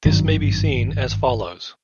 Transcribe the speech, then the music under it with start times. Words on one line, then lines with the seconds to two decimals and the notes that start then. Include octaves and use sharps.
This may be seen as follows.
0.05 G#1 G2 D#3 F#3